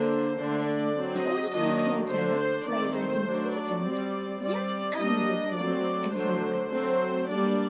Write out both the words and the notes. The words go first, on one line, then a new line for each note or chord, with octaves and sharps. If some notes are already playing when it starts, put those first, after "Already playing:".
The auditory cortex plays an important yet ambiguous role in hearing.
Already playing: D3 A#3 D4 C5
D3 A3 D4
D5
F#3 C4
D#5
D#3 F#3 A#3 D4 D#5
D3 A3 D4 C5
C5
D#3 A3 C4 D5
C5
F#3 A3 D4
D5
G3 C4
G3 C4 D5
G3 A#3 D4 D#5
F#3 A3 C4 D5
D3 F#3 A3 D4 C5
F#3 A3 C4 C5
G3 A#3 D4 D5